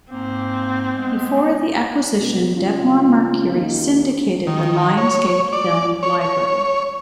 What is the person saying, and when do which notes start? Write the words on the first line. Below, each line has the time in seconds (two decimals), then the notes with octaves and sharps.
Before the acquisition, Debmar-Mercury syndicated the Lionsgate film library.
0.11 G#2 A#3 C4
0.95 G#3 B3
2.20 B2
2.55 C#2 F4
3.54 D#2
4.47 D#3
4.97 C#5
5.53 D5
6.03 C#5
6.21 C#5